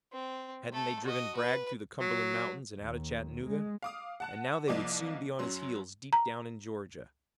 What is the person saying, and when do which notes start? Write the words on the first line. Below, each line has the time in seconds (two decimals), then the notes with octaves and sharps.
Hadn't they driven Bragg through the Cumberland Mountains and out of Chattanooga, and now they would soon be on his heels deep down in Georgia.
0.13 C4
0.72 A3 A4
1.04 F#4 D#5
1.36 B4
2.01 F#3
2.80 D#2
3.45 G#3
3.82 F5 D6 D#6
4.20 F#5 A5 F#6
4.68 C2 F3 A#3 D5 D#5 D6
5.39 F#2 F#3 C6
6.13 A#5